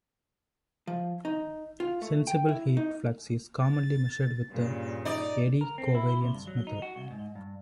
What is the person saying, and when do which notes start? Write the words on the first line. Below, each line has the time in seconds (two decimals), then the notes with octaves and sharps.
Sensible heat flux is commonly measured with the eddy covariance method.
0.87 F3
1.25 D#4
1.80 F4
2.02 A3
2.27 G5
2.48 E4
2.77 D#4
3.63 A6
4.51 G2 A#2 C#3
5.05 D#4 D5
5.61 A#4
5.78 C4
5.95 E4
6.21 C3
6.34 G2
6.47 F#3
6.67 D#4
6.82 F#4
6.96 C2
7.11 G#2
7.36 G2